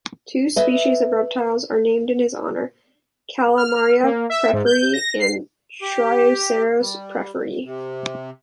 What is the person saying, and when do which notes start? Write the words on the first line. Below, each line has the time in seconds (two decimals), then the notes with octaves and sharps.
Two species of reptiles are named in his honor, "Calamaria pfefferi" and "Trioceros pfefferi".
0.56 B4 D#5 E5
3.57 F6
4.03 A#3
4.30 E5
4.53 G#2
4.66 G6
4.93 A#6
5.20 C7
5.82 G4
6.80 G3
7.65 C3